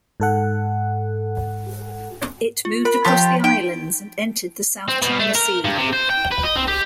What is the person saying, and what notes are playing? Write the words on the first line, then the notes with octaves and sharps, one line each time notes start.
It moved across the islands and entered the South China Sea.
G#2 A4 F#5
F4
A#4 B5
F3 F4 G4 A5 B6
D#4 G5
C4
B2
A3
A#4
G2
C3
C5
G5
B4
D#5
C4
G4